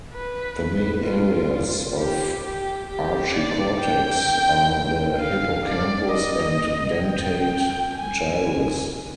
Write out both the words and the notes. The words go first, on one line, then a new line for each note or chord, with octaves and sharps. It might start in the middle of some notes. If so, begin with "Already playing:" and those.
The main areas of archicortex are the hippocampus and dentate gyrus.
B4
B4
F4
G4
G4
G4
D5
G5
F5
D5
D#5
G5
G#5